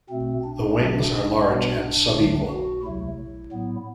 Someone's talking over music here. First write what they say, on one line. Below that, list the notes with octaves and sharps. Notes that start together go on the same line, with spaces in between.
The wings are large and subequal.
B2 A3 C4
D4
B2 F#3 A3 D4
B2 G3 B3 D4
D2 D3 F#3 A3
F#4
D2 C3 F#3 A3 E4
A2 F#3 B3